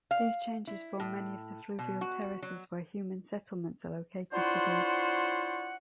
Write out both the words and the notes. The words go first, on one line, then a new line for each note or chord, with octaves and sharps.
These changes formed many of the fluvial terraces where human settlements are located today.
F5
E4
A2
B2
F#4
F#3
D4 E4 F4 C5 C#5 F#5